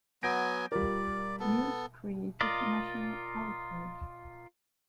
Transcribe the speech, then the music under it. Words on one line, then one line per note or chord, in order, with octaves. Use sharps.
News created national outrage.
F#3 B3 G#5 G6 A#6 D7
G3 F4 A#4 D5
B3 A4
F4 A#4 D5 D#5